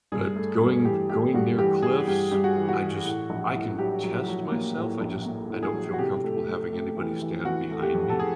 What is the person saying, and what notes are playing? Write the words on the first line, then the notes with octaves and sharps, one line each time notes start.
But going going near cliffs, I just I can test myself. I just I don't feel comfortable having anybody stand behind me.
G2 G#4
A3
G2
E3 G4
A3 G4
G2 F#4
E3 G4
E3 G#4
G2 G4
G2 G4
F#4
E3
F#4
E3
A2
A#1
A2
F#3 G4
F#3
F#3
A#3
A2
A#1
A#3
A2
G#4
F#3
F#4
C3 G4
A3
A3
A3
E3
E3
E3 F#4
A3
G4
F2
A4
G#4